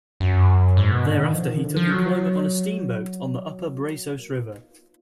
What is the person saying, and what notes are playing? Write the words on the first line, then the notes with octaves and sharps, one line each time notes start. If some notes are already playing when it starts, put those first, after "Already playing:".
Thereafter he took employment on a steamboat on the upper Brazos River.
F#2
G#2
B2
D3
D#3
F3
D#3
D3
F3
F#3
A#3
B3
F4
D#4
F4